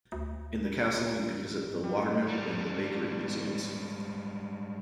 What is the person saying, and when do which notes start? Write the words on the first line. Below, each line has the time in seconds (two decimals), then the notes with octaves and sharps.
In the castle, you can visit the Watermill and the Bakery museums.
0.12 D2
1.46 G#1
1.84 G3
2.28 G#2 G3